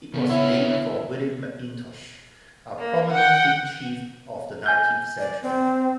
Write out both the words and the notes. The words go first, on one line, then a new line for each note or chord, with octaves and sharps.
It was named for William McIntosh, a prominent Creek chief of the nineteenth century.
C#3 B3 C4
D3 E4 C#5
A#3
F#5 G5
G#5 G6
D5
C4